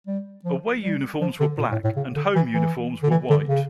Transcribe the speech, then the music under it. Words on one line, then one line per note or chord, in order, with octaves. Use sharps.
Away uniforms were black and home uniforms were white.
G3
F3
G3
F3
D3
A#2
A2
A2
C#3
D3
E3
E3
D3
E3
D3
C#3